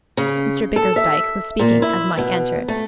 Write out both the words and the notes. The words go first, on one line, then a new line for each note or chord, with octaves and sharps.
Mr Bickersdyke was speaking as Mike entered.
C#3
A4
E5
A#2
E4
B2
A3